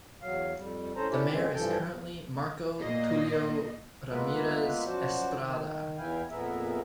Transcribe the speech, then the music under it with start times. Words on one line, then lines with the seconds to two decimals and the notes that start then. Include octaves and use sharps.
The mayor is currently Marco Tulio Ramirez Estrada.
0.22 E2 F#3 F5
0.56 F2 G3
0.96 A2 C#4 A4 C5 A#5
1.10 C#4 D4 E4 G4 A4
1.31 A#2 D3 G#3 C4 C#4
1.54 G2 E3 F3 A4 G5
2.78 A#2 A#3 D#5
4.11 G#3 A#3 B3 F4 B4 E5
4.86 F#2 F3 F#4 C5 D5 A5
5.40 D#3
5.98 E2 E3 E4 F5 G5 G#5
6.31 F2 A#2 B3 G#4 A#4 E5